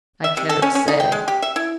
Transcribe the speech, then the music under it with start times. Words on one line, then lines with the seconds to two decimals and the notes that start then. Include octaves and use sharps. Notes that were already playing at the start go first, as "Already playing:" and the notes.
"I can't say."
0.24 E5
0.37 C3
0.49 A4
0.62 C#4
0.75 C#4
0.88 D#4
1.00 G5
1.12 G#3
1.28 G4
1.42 E5
1.56 E4